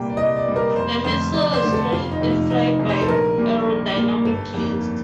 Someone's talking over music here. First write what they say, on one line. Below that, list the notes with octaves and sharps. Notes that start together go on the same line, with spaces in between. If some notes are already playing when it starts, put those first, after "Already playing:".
The missile is carried in flight by aerodynamic lift.
Already playing: C2 A#2 G3 A#3 G5
D5
C2 D#5
D5
A#2 G3 A#3
A#4
F1 C5
F2 D3 A3 C5
F1 D5
C5
F2 D3 A3
A4
F1 F4
D#4
F2 C3 D#3 A3
F4
F1 D#4
F2 C3 D#3 A3
C5
A4
A#1 A#4
A#2 G3 A#3
A#1
A#2 G3 A#3
G1 A4
F2 D#3 A#3